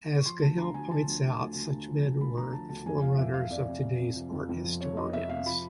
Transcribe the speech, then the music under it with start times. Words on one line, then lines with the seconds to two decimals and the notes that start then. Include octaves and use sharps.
As Cahill points out, such men were the forerunners of today's art historians.
0.17 C#6
0.26 F3 C6
0.42 D2 A5
0.58 D3 A#5
0.74 D2 G#5
0.91 F3 A5
1.07 D2
1.24 D2
1.40 D2
1.55 D2
1.72 D3
1.88 F3
2.05 D2
2.20 D2 B5
2.37 D3 A#5
2.53 F3 A5
2.69 D2 A5
2.86 F2 G#5
3.02 F3 F5
3.18 F2 E5
3.34 F3 F5
3.50 F2 D5
3.68 C3
3.83 C3
3.99 C3
4.16 F3
4.33 F2
4.49 F2
4.64 F3
4.80 C3 C#5
4.97 F2 D#5
5.13 C3 E5
5.29 C3 F5
5.46 F3 B5